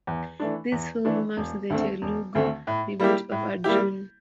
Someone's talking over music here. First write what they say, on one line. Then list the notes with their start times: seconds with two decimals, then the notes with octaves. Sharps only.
This film marked the Telugu debut of Arjun.
0.07 E2
0.40 E3 A3 D4
0.72 E2
1.05 E3 A3 D4
1.37 E1
1.70 D2 D3 A3 C4
2.02 E1
2.35 D2 D3 A3 C4
2.67 A2
3.00 G3 A#3 E4 G4
3.31 A2
3.64 G3 A#3 E4 G4